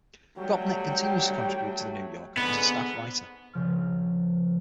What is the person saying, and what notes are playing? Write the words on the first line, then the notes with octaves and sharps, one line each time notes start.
Gopnik continues to contribute to "The New Yorker" as a staff writer.
F#3 G3 A3 G5
G#2 D3 B3
A#1 C#3 F3 F6